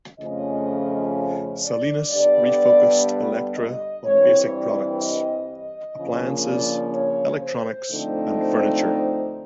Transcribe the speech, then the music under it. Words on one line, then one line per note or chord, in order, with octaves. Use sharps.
Salinas refocused Elektra on basic products: appliances, electronics, and furniture.
F2 C#3 F3 A3 C#4 D#5
D5
G2 D3 G3 B3 D4 D5
D#5
G2 E3 G3 C4 C#5
D5
D#5
D#5
C#3 F3 A#3 D4
D5
C#5
C5
D3 F3 A3 C4 D#4
C5
C5